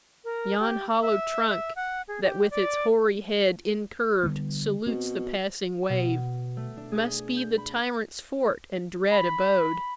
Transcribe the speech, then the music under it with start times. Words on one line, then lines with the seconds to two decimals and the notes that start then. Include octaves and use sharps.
Yon hollow trunk, That with its hoary head incurv'd salutes The passing wave, must be the tyrant's fort And dread abode.
0.24 A#4
0.59 G4
1.01 E5
1.49 E5
1.76 F#5
2.08 G#4
2.23 G4
2.51 D5
4.23 D3 G3 B3
4.87 B2 C4
5.89 B2
6.57 A3
6.77 D4
6.92 G#4
7.37 G6
7.57 B5
9.11 B5